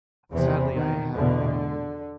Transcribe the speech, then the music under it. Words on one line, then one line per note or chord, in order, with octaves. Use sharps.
sadly, I have, um
E2 C3 E3
D#3
E2 B2 D3